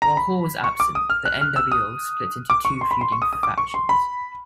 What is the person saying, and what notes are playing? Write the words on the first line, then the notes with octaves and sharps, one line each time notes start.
While Hall was absent, the nWo split into two feuding factions.
A#5
B5
C#6
D6
D#6
F6
F#6
F6
E6
D#6
D6
C#6
C6
B5
C6
C#6
D#6
D#6
D6
C#6
C6
B5